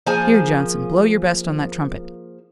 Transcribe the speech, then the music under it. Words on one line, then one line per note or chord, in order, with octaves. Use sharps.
Here, Johnson, blow your best on that trumpet.
F3 A#3 G#4 G#5